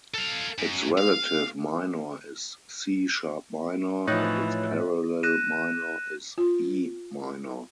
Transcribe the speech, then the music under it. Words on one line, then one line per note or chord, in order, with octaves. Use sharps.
Its relative minor is C-sharp minor, and its parallel minor is E minor.
A4 F5
F#2
F5
A2 E3 F3 D#4 C#5 F#6 A6
F#6 A#6 D#7 E7
F4